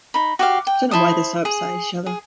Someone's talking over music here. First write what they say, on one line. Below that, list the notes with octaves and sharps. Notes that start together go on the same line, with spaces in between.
I don't know why they're so upset at each other.
D#4 B5
F#4 G4 F5
G5
E4 C5 A5 D#6
G#4
G#4